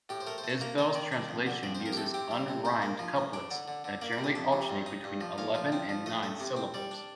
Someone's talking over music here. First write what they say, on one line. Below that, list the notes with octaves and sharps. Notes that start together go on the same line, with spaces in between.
Isbell's translation uses unrhymed couplets that generally alternate between eleven and nine syllables.
A2 G4
C5
A3 A#4
C5
A3
A5
A#3 A#5
D#3 D#5
D#3 D5
D4
F2
D3
F2 D5
C5
F2
A#4
G4
C3 A4
C4 G4
G3
C3
A2 C5
A#3
F3
A2
D4 D5
D3
D3
D3
A#3 D5
D5
C3
D#5
F2 A5
C3
G2
D#4
G2
F3
A#2 F5
F3
C4
F3
A3 D#5
A3
C3
C4
G3 D5
D4